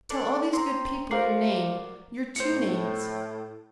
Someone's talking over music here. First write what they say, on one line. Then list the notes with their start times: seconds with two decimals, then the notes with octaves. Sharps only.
Tell all these good people your name; your two names!
0.10 D4 A4 D5
0.53 C4 A#5 C6
1.11 F#4 A#4 C5 D5 F5 C7
2.36 A2 C5 C#7